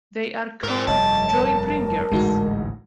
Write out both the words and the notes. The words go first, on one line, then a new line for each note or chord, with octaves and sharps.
They are called "joy bringers".
G#2 A#4 D5
F1 G2 G3 C#5 D#5 A5
A#4
A1 D2 G#2 G#3 D#4 F#4